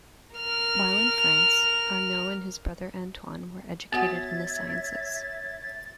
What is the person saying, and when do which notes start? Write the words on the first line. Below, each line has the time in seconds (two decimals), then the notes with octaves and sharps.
While in France, Arnaud and his brother, Antoine, were educated in the sciences.
0.36 A#4 F6
3.92 B3 F#4 C#5 E5 F#5 G#6 A6